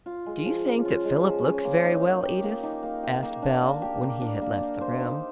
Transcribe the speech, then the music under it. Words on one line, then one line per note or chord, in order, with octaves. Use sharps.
"Do you think that Philip looks very well, Edith," asked Belle when he had left the room.
F4
G#3
F3
C#4
F4
G#3
F3
C#4
A#3
D#4
A#3
G4
A#3
D#4
A#3
G4
A#3
D4
A#3
G4
A#3
D4
A#3
G4
C5
D#4